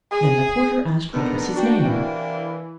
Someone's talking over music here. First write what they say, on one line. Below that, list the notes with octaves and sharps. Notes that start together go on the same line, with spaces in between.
Then the porter asked what was his name.
G#4
G#2 D3 D#3 B3 D4 A#5
D4 F#4 G5
C3 E3 A#3 D4